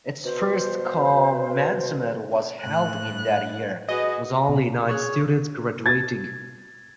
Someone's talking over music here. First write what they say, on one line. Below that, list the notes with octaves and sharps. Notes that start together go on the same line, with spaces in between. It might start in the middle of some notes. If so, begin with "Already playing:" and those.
Its first commencement was held in that year, with only nine students graduating.
B2 C5
A2 F#6
F#4 G#4 B4 D#5
B2
G#4 C#5 C#6 F#6
G#6 A6